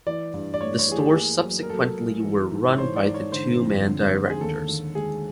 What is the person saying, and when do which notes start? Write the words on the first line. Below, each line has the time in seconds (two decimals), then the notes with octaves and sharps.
The stores subsequently were run by the two man directors.
0.07 E3 D5
0.34 G2
0.54 D5
0.61 A3 C#5
0.79 C#5
0.88 E3 G#4
0.97 G4
1.15 A#3 G#4
1.42 F#3
1.63 A#4
1.70 F#3 A4
1.97 A#3
2.24 E3
2.52 G#2
2.73 C#5
2.78 E3 C5
2.96 D5
3.06 G#2
3.14 C#5
3.32 D3 C5
3.59 F2
3.87 D3
4.14 D3
4.30 G#4
4.41 D#2 A4
4.69 D#2
4.95 G#3 G#4